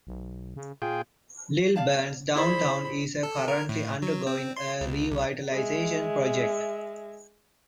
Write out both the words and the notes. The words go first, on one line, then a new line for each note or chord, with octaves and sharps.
Lilburn's downtown is currently undergoing a revitalization project.
B1
C#3
A#2 F4 G#4 G5
D5 F5 A5
E4 G#4 C5 D5 B5
A4
A#4
A2
F#3
C4
C6
C#2
C2
G#3 E5